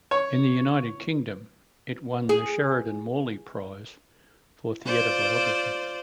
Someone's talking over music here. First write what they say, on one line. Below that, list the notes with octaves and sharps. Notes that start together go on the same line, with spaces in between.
In the United Kingdom, it won the Sheridan Morley Prize for Theatre Biography.
C#5
G#4
F4 C5 D5